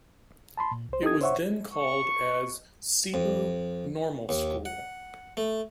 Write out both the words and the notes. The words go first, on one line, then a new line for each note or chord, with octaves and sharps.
It was then called as "Cebu Normal School".
A5 B5 C6
A#2
C2 C5
D#4 G4 A4 D#6 G#6
C5 C#5 E5 F#5 C#6
C#6
F2
D#2
F#5
A3